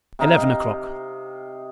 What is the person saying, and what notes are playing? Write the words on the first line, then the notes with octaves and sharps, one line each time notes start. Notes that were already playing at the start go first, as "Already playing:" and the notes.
Eleven o'Clock.
C3 D#4 D#5 F5